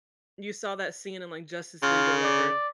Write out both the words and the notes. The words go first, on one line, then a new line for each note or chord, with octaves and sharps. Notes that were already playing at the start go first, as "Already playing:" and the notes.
you saw that scene in, like, Justice League or whatever,
C#3 F4
D5